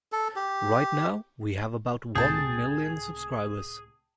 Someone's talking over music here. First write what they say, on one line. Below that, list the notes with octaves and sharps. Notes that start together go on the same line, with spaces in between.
Right now, we have about one million subscribers.
A4
G4
C#2 A2 C3 G#4 G5 A5